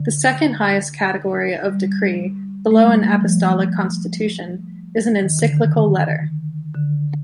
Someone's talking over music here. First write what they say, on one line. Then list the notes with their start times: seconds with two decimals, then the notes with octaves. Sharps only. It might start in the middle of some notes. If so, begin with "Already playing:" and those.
The second highest category of decree, below an apostolic constitution, is an encyclical letter.
Already playing: D3
1.69 G3
2.71 A3
2.84 G3
3.08 G3
3.21 F3
5.23 D#3
5.39 D3
5.57 D#3
5.74 D#3
6.74 D3